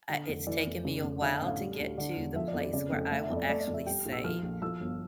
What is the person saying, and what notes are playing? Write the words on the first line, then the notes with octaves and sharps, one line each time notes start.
uh it's taken me a while to get to the place where I will actually say,
D3
F1
E3 D5
F1
C#3
F1
D3 E5
A1
F5
G3
D2
D3 D5
E1
F3 E5
D5
F2
D5
C#3 D5
F1
A3 E5
E5
F2
D5
A3 D5
D5
F2
E5
G3 G5
A#1
E6
F3 F6
A#1
F3 E6
G1